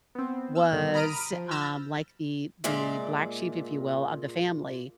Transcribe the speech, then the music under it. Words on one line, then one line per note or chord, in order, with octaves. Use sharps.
was, um, like the the black sheep, if you will, of the family,
B3 C4
E6 F6
G2 B2 D3 D#3
A#5 B5 D#6 F6 D7 D#7
F3
B5 E6 F6 G6 A6 A#6
A#2 G#3 A#3 D5 E5